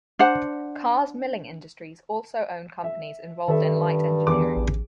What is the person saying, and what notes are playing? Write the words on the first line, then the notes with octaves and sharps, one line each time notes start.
Carr's Milling Industries also own companies involved in light engineering.
D4 C5 F#5
E5
G2 D#3 A4 E5
E2 D6
A1